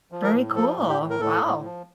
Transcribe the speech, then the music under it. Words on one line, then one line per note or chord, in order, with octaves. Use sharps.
Very cool, wow.
F3
A#4
A2
F3 A4
A2
G4
A2
A#4
A2 A4
A2
F3